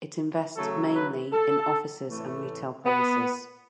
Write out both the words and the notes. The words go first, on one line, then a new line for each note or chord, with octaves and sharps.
It invests mainly in offices and retail premises.
C#3 F#3 A3 A4
B4
A4
A2 E3 A3
B3